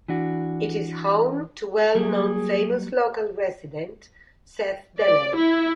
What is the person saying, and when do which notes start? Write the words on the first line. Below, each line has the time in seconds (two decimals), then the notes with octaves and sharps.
It is home to well known famous local resident Seth Dellow.
0.08 E3 D4 F#4
1.95 F#3 G3 A#3 G#4
4.98 D5
5.35 E4